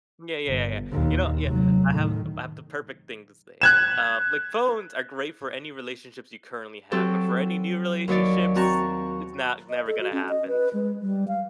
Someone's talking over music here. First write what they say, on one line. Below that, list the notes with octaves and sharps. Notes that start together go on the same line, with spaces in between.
Yeah, yeah, yeah, yeah, you know yeah, I have I have the perfect thing to say, um, like, phones are great for any relationships you currently have, but for any new relationships, it's not it's never gonna happen,
G1
D#2 A#2
F1 F#3
A2 D#3
F#6 G#6 E7
F#3 C4 G4 A4
D#2 F#3 C#5 D5
C4 F#4 A5 A#5 C#6
D#5
A4
F#4
C#4
D#5
B4
G#3
G3
F5